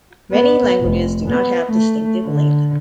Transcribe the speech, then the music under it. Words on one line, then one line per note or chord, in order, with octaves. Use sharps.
Many languages do not have distinctive length.
B3
F1
B3
A3
D3